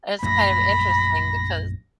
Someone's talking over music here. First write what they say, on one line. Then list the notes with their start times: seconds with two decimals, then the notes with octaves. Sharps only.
and it's kind of interesting because
0.23 A#1 F#2 A3 B5 A#6